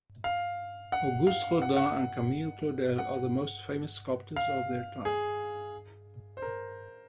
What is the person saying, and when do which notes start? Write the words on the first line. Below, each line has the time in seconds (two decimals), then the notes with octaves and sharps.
Auguste Rodin and Camille Claudel are the most famous sculptors of their time.
0.24 F5
0.92 F#5
1.27 F5
1.62 F#5
1.77 F#5
2.98 F#5
4.36 F5
5.05 G#4
6.37 C5
6.42 A#4